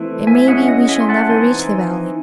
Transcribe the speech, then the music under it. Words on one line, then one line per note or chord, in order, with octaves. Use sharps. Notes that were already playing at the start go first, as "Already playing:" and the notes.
It may be we shall never reach the Valleys.
Already playing: E3 A3 C4 E4
E5 G#5
G#3 C#4 E4 D#5 F#5
D#5 F#5
E5 G#5
C6
F#5 A5
E3 C4 D#4 G#5 C6